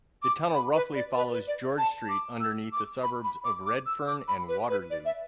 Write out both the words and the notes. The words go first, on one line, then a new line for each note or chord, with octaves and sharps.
The tunnel roughly follows George Street underneath the suburbs of Redfern and Waterloo.
D6
B5
B4
D5
B4
B4
D5
A5
D6
E6
D6
B5
B5
D6
D6
E6
D6
B5
B4
B4
D5
E5